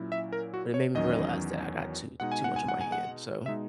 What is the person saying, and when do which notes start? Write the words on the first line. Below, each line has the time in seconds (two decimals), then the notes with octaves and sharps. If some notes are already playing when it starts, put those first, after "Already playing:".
but it made me realize that I got too too much on my hand, so
Already playing: A#2 F#3 C#4 E4
0.12 E5
0.33 A#4
0.54 F#4
0.74 C#5
0.95 E2 D#3 F#3 C#4 D#5
2.20 B2 G#3 D#4 F#5
2.32 G#5
2.44 F#5
2.56 G#5
2.68 F#5
2.81 G#5
2.92 F#5
3.46 B2 G#3 D#4 E5